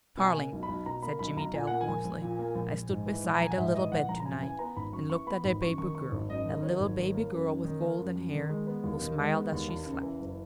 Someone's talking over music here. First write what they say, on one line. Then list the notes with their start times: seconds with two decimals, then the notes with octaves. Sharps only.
"Carling," said Jimmie Dale hoarsely, "I stood beside a little bed to-night and looked at a baby girl--a little baby girl with golden hair, who smiled as she slept."
0.17 B2 G#5
0.35 A#3
0.53 B1
0.63 B5
0.68 B1
0.86 B2 A#5
1.02 A#3 B5
1.19 B1 B5
1.37 B1 A#5
1.54 A#2 G#5
1.67 A#3 F#5
1.81 G#5
1.88 A#1
2.05 A#1
2.22 A#2
2.39 A#3
2.55 A#1
2.72 A#1
2.89 G#2
3.06 E3
3.24 A#1
3.34 A#5
3.40 A#1 G#5
3.50 F#5
3.57 G#2 E5
3.75 E3 D#5
3.91 A#1 F#5
4.09 A#1 A#5
4.20 A#5
4.25 F#2 G#5
4.43 E3 G#5
4.59 B3 A#5
4.76 G#1 B5
4.93 F#2 C#6
5.10 E3 C#6
5.27 B3 B5
5.44 G#1 B5
5.62 F#2 C#6
5.78 D#3 C#6
5.95 F#3 C#6
6.12 G#1
6.29 F#2 D#5
6.46 D#3
6.63 F#3 C#5
6.80 G#1
6.97 D#3
7.14 A#3
7.32 F#2
7.48 F#2
7.65 D#3
7.82 A#3
7.99 F#2
8.16 F#2
8.33 D#3
8.49 G#3
8.67 B3
8.84 D#2
9.01 D#3
9.18 G#3
9.34 B3
9.52 D#2
9.69 E2
9.85 C#3
10.03 E3
10.20 F#1